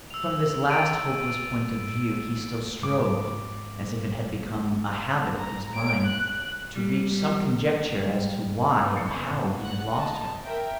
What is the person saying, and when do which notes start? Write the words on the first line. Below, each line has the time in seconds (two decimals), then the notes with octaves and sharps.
From this last hopeless point of view he still strove, as if it had become a habit of his mind, to reach some conjecture as to why and how he had lost her.
0.11 E6 F7
0.70 G#6 A6 D7 D#7
2.82 G#2 D6
5.38 A#5
5.74 C#5 D7
6.06 F#6
6.76 G3
8.00 G3
8.80 E3
8.95 D6 D#6 G6 A6 C7 C#7
9.09 F#1 F#2 B3 G#5 B5 C#6
9.29 A#2 C#3
9.61 F#5 F#6
9.94 D#5 A5
10.42 A#4 E5 G5